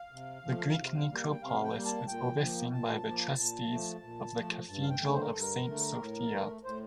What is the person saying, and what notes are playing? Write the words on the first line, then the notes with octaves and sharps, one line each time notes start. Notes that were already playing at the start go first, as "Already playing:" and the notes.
The Greek necropolis is overseen by the trustees of the Cathedral of Saint Sophia.
Already playing: F5
C3
F3 A3
C3
G3 A#3
G5
C3 F5
G5
G3 A#3
A5
A#2 G5
F3 A#3
A#2 A5
F3 A#3
A#2
F3 A3
A#2
F3 A3
G2 A5
F5
G5
D3 A3
C5
A#4
G2 A4
A#4
D3 A3
A2
A3
A2 C5